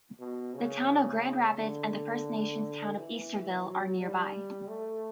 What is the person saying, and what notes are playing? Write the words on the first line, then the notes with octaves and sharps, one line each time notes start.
The town of Grand Rapids and the First Nations town of Easterville are nearby.
B2
C#3
D3
E3
F#3
G3
A3